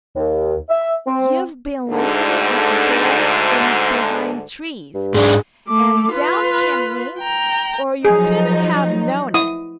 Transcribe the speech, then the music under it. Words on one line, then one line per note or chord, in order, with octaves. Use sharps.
'You've been listening at doors--and behind trees--and down chimneys--or you couldn't have known it!'
D#2
E5
C4
D2 G#2 D3
G2
G#2 D4 G#4
A3 D6
F4 B4
G5 A#5
F3 F#3 D#4 G#4
E4 D#6